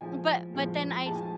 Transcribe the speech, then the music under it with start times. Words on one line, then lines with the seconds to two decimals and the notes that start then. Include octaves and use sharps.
but but then I
0.01 A2 F3 G#3 G#5
0.53 A2 F3 G#3
1.06 A2 F3 G#3 A5
1.15 G#5